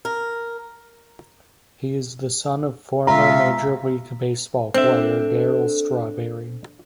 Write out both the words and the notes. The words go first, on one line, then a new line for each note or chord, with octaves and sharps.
He is the son of former Major League Baseball player Darryl Strawberry.
A#4
B2 G#3 F4 E5 A#5
C4 D4 A4 C5 E5